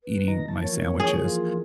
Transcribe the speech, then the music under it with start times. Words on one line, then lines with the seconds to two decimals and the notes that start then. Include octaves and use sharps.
eating my sandwiches?
0.04 B4
0.28 D#3 D#4 A#5
0.48 E3 E4 A5
0.62 E3 F3 A#3 C#5
1.00 G#4
1.23 F4